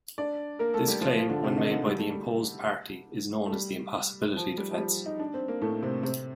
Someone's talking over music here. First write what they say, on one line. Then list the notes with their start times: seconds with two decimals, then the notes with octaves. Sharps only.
This claim when made by the imposed party is known as the impossibility defense.
0.18 D4 D5
0.59 A#3 A#4
0.74 A3 A4
0.88 G3 G4
1.01 F3 F4
1.16 F3 F4
1.29 D3 D4
1.44 C3 C4
1.52 D4
1.58 D#3 D#4
1.71 D3 D4
1.86 G3
1.98 A3
2.10 G3
3.46 A3
3.53 G3
4.36 F3
4.58 G3
4.71 F3
4.78 G3
5.06 D#4
5.20 D4
5.34 C4
5.48 A#3
5.62 A2 A3
5.82 C3 C4
6.03 C3 C4